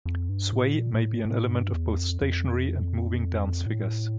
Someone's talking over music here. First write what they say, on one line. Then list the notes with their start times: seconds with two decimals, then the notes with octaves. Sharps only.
Sway may be an element of both stationary and moving dance figures.
0.06 F2
0.29 G2
0.53 A2
0.77 A#2
0.94 A#2
1.01 A2
1.25 A2
1.49 G2
1.74 E2
1.97 F2
2.22 F2
3.66 A2